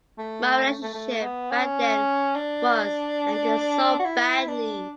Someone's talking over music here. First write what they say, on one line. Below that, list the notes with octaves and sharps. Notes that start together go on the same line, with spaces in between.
My relationship back then was ended so badly.
A3
A3
A3
A3
B3
C#4
D4
F#4
E4
D4